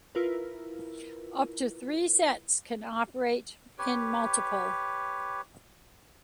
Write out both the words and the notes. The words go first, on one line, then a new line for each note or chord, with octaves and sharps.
Up to three sets can operate in multiple.
E4 F4 A#4 B4
G4 B4 C#5